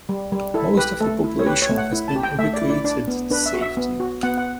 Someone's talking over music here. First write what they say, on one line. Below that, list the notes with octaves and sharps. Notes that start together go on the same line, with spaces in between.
Most of the population has been evacuated to safety.
G3
G3
E4 A4
G4 B4
A3 A4
E4
C#5
G4 B4
C#5
A3
F#5
E4
A5
G4
G5
A3 E5
D5
E4
D5
D4 D5
B3
D4 B4
E5
F#4
E5
B3
F#4
B3 F#5
F#5